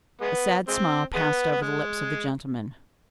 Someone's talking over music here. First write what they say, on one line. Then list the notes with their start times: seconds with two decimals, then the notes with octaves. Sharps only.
A sad smile passed over the lips of the gentleman.
0.21 G#3 B3
0.68 G#3 C4
1.15 G#3 B3
1.51 B3
1.62 G#3